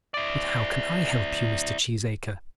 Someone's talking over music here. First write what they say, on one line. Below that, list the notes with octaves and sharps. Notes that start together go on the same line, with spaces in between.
"But how can I help you, Mr. Cheesacre?"
E4 D5